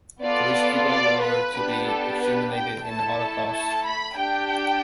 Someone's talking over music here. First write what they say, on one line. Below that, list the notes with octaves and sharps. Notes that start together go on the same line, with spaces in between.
Jewish people were to be exterminated in the Holocaust.
B3 F4 A4 D5
D5
B4
B3 D4 G4
A4
B4
G5
A3 E4 A4 A5
A5
B5
D4 G4 G5